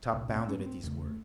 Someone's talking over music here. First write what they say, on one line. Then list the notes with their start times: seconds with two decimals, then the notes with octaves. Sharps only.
Top bounded at these words.
0.13 C2 A#2 B3
0.31 C4
0.49 C#4
0.59 B3
0.66 C4
0.83 E2 C#3 A3
1.01 A3